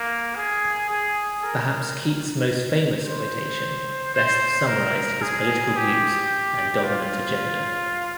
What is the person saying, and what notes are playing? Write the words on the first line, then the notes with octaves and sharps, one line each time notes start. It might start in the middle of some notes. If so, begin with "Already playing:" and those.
Perhaps Keitt's most famous quotation best summarized his political views and dominant agenda.
Already playing: A#3
G#4
G#4
A#4
C5
C5
A#4
G#4
G4
F4